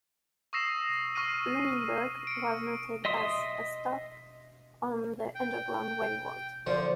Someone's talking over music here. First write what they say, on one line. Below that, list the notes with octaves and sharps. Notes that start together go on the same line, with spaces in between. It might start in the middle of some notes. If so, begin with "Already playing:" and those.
Bloomingburg was noted as a "stop" on the Underground Railroad.
C#6 D#6 E6 A#6 C7 E7
C#6 E6 F6 C7 D#7
C#7 D7
D#5 E5 C6 D#6
G5
D3 F3 F4 C5 D5 C#6